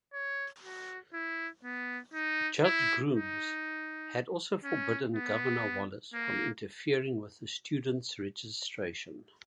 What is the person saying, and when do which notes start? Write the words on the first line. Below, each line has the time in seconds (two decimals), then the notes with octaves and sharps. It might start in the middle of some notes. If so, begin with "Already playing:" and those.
Judge Grooms had also forbidden Governor Wallace from interfering with the students' registration.
0.13 C#5
0.63 F#4
1.13 E4
1.64 B3
2.14 D#4
2.64 E4
3.14 D#4
4.64 C#4
5.14 B3
6.14 A#3